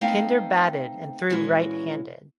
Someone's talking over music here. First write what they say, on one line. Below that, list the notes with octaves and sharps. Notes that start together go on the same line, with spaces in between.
Kinder batted and threw right-handed.
A3 B3 C4 D#4 F5 G5
A#2 E3 G#3 C#4 F#4